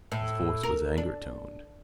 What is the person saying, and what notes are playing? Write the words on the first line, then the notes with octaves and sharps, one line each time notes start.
His voice was anger-toned.
A2
A#4
D4